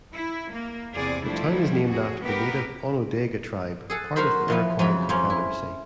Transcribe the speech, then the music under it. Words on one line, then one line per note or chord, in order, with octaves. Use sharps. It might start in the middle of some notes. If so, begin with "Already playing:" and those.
The town is named after the native Onondaga tribe, part of the Iroquois Confederacy.
E4
A#3
E2 C3 G#4 D5
F3 G3 A3 D4 E4
F2 A#2 F#4 G#4
A3 B3 G4 A#4 B4
G#4 A4 F#5
F#3 F#4 A#4 C5 B5
E3 F3 B3
F2 C#3 F#3 B4 B5
F2 F3 C4 C#4
E4